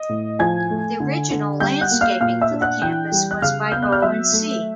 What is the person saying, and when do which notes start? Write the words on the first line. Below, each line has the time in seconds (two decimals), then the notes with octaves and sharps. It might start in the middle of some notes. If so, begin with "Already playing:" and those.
The original landscaping for the campus was by Vaux and C.
Already playing: D#5
0.09 A2
0.39 F3 G#5 G#6
0.70 A3
1.00 D3
1.31 D3
1.60 G3 G5 G6
1.81 F#5 F#6
1.91 A#3
2.01 F5 F6
2.21 A#2 F5 F6
2.41 E5 E6
2.51 D4
2.61 F#5 F#6
2.81 E3 G5 G6
3.12 G3
3.31 F#6
3.42 C#3 F5 F6
3.72 B3 G6
3.82 F#6
3.92 F6
4.02 F#3 E5 E6
4.32 A3